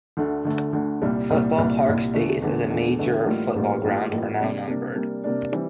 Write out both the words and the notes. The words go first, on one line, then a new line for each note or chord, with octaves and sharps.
Football Park's days as a major football ground are now numbered.
D2 D3 A3
D2 D3 A3
D2 D3 A3
C2 A#2 G3
C2 A#2 G3
C2 A#2 G3
C2 A#2 G3
E2 D3 A3
E2 D3 A3
E2 D3 A3
E2 D3 A3
A1 A2 G3 A#3 F4
A1 A2 G3 A#3 F4
A1 A2 G3 A#3 F4
A1 A2 G3 A#3 F4
C3 G3 A#3 D4
C3 G3 A#3 D4
C3 G3 A#3 D4
C3 G3 A#3 D4
E3 G3 C4